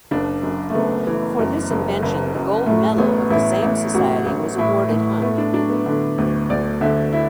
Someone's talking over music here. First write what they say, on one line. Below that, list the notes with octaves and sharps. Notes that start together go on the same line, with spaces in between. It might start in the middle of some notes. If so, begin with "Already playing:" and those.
For this invention the gold medal of the same society was awarded hun.
F#1 D4
F#2
A3
F#1 B3
E3
F#2
F#1
F#1
F#2
A2 A3
A1 B3
A1 E4
A1
A1 F#4
A1
A2 E4
A2
A3 B3
D4
F#3 D4
B3
D3
D2
D2 D5
D3 E5
E4